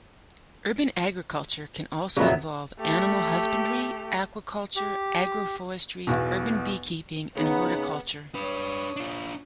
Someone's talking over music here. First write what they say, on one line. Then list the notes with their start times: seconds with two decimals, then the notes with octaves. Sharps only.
Urban agriculture can also involve animal husbandry, aquaculture, agroforestry, urban beekeeping, and horticulture.
2.17 F2 A#2 C#3 F#3 B3 E5
2.80 A3 G4
4.76 G4
6.07 B1 E2 B2
7.36 C#3 B3 D#4 F#5
8.35 D4 B4 C#5 D#6
8.96 D4 F4